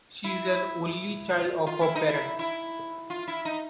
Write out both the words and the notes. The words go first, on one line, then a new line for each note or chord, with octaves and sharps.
She is an only child of her parents.
E4
F4
E4
D#4
E4
E4
F4
E4
D#4